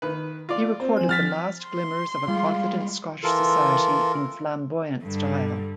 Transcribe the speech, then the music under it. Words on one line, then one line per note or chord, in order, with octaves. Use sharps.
He recorded the last glimmers of a confident Scottish society in flamboyant style.
D#3 B4
F4 D5
C4
F3 G#5
F3 F6 A6 B6
C6
G3 G#3 F4
E3 F4 A4 A#4
G2 D3